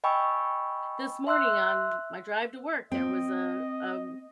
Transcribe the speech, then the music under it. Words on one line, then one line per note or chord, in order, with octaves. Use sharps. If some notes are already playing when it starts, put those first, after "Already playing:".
this morning on my drive to work, there was a a
D#5 G5 G#5 B5 C#6 E6
E5 C6 E6 F#6
C4 D#5